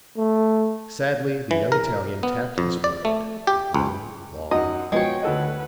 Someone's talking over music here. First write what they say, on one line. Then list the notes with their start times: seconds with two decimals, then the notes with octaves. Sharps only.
Sadly the young Italian tapped his forehead with one long finger.
0.17 A3
1.51 E3
1.72 A#4
2.23 B3
2.58 F2
2.84 D5
3.05 A3
3.47 G4
3.74 C#2
4.51 F#2 D#4 D#5 F#5
4.92 F3 G#3 B3 F#4 C#5 G5
5.22 D2 A4 B4 D#5 F#5